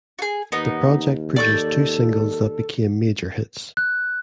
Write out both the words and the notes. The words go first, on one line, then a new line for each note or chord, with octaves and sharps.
The project produced two singles that became major hits.
F#4 G#4
D#2 B3 D#4
A4 D5 C#6 G6
F#6